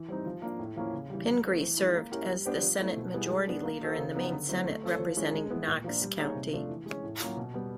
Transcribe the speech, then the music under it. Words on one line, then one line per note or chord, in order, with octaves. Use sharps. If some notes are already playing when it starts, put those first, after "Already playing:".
Pingree served as the Senate Majority Leader in the Maine Senate representing Knox County.
Already playing: E3
G3 C4 D#4
F3
A#3 D4 F4
A2
F3 A#3 C#4 E4
C#3
E3 G3
F#3
A3 C4
E3
G#3 C#4 E4
A#3
C#4 E4 G4 A#4
G3
B3 D4 G4 C5
F3
A3 C4 E4
B2
G3 B3 E4 G#4
G#3
B3 D4
A#3
D#4 F#4 A4 C5
C#3
F#3 B3 D#4
D3
F#3 A3 C4 E4
A3
C4 F4 A4 C#5
F3
G#3 C#4 E4
G#3
B3 E4
A#2
F3 A#3 D4 F4
G3
A#3 D#4 G#4 C#5
C3
F3 A3 D4
E3
G#3 C#4
A2
F#3 A#3 C#4 F4
B2
G3 B3